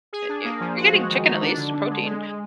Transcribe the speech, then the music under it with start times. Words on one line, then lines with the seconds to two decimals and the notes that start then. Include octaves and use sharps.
Eh u You're getting chicken, at least, protein.
0.13 G#4
0.29 D4
0.45 A#3
0.60 F3
0.77 F#4
0.93 G#3
1.09 D#3
1.25 D#4
1.41 D4
1.57 D3
1.73 D3
1.90 G#3
2.06 G#3
2.22 G#3